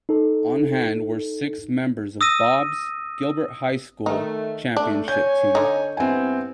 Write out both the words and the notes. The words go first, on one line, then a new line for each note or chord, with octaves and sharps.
On hand were six members of Bob's Gilbert High School championship team.
D#4 A4
D#6 E6 A#6 D#7
D#3 A3 D#4
A3 D4
C#5 G#5 G6
D3 D#4
G2 B3 C4 E4 G#5